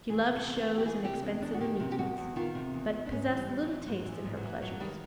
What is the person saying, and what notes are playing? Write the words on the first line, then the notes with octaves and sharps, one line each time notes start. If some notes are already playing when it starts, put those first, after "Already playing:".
She loved shows and expensive amusements, but possessed little taste in her pleasures.
E3 G#4
C3
A4
E2
G#4
E2
G4
E3 G#4
C3 G4
E2 D4
E2 D4
F#4
D#3 G4
C3
G4
E2 F#4
E2
D#3 F4
C3
E2
E2
D4
G#2 C#4
E3
G3
G#2
F#3
E3
F3
G#2 F#3
E3
F3
G#2 G3
F#3
E3
G2 F#3
D#3 G3